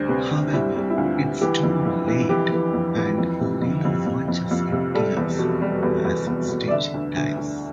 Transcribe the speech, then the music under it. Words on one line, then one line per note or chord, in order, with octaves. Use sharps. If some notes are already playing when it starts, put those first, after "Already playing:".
However, it's too late and Lilo watches in tears as Stitch dies.
Already playing: D2 G3 C5
C3 B4
D2
G3 E4
G3
E4
D2 F4
D2
E3 G4
F2
E3
E3
E3 G4
E3
F2
E3
F2
C3
F2
F2
F2
F2
F2
C3
G3 A4
E2
B2
G3
E2
E2
E2
E2
D5
D3 E5
D2
D2
D2